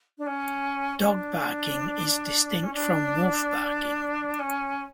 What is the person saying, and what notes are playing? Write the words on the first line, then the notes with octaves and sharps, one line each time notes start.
Dog barking is distinct from wolf barking.
D4
C#4
C#4
D4
C#4
D4
C#4